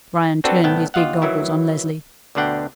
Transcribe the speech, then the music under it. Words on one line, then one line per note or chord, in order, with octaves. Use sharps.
Bryan turned his big goggles on Leslie.
C4 D4 F#4 A4 B4
C2 A2 B3 G5 A5
D#2 F4 D#5 F5 F#5
D#3 E3 F#3 E4
D2 B2 D3 D4 F#5 G5